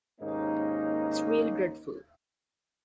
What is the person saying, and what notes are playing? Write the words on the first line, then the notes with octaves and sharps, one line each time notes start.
It's really dreadful!
D#2 G#2 A#3 C#4 D#4